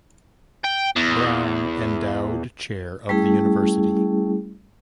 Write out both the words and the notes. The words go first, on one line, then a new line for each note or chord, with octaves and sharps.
Brown Endowed Chair of the University.
G5
E2
G3 A3 C#4 E4 G#4